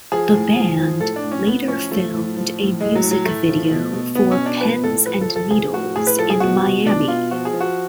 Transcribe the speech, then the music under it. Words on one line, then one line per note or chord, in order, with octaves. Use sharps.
The band later filmed a music video for "Pens and Needles" in Miami.
F3 G#4
A2
F3
F3
A2 A4
D4
A2
C#4
A2 B3
F3 C#4
F3 A3
A2
F3
A2
A2 G#3
F#3
A2
F#3
A2 A3
F3
B2
B2
B2 B3
C#4
B2
D4
F3 B4
A2 A4
F3 B4
A4
F3
A4
F3 G#4
A2 F#4
A2 G#4
B4
F3 A4
G#4
B2 F#4
B2
B2 D4
B2 F4
F3 F#4
G#4
F3
F#4